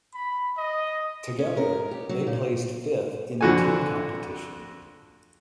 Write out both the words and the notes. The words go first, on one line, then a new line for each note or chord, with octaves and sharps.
Together they placed fifth in the team competition.
B5
D#5
C#4
A#4
G4
F#3
A#2
F2 D3 F#4 A4 G#5